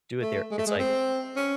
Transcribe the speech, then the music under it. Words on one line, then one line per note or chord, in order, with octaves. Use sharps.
do it there, it's like,
A3
G#3
A3
G#3
C4
C#4